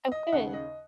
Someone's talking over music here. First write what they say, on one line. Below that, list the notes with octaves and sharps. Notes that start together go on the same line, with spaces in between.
Oh, good.
D#5
D#2 C#3 F#5
D#5